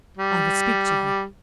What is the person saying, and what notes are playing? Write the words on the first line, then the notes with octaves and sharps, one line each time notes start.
I would speak to her.
G3